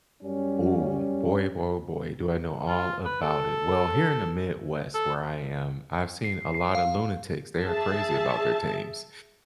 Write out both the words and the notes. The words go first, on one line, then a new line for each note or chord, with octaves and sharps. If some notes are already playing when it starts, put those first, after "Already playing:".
Ooh, boy, oh, boy, oh, boy, do I know all about it. Well, here in the Midwest where I am, I've seen a lotta lunatics; they are crazy about their teams,
F#2 G3 C#4
F4
B4
A4
A4
C7
C7
F5
G#4 E5 A5